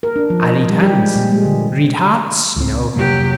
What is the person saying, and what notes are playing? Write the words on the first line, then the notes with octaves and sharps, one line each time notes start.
I read hands--read hearts, you know.
A#4
D4
F3
D#5
G3
G4
G#3
A#2
G#3
D3
C#2 G#3 C4
F2 C3 F#3 A#3 G4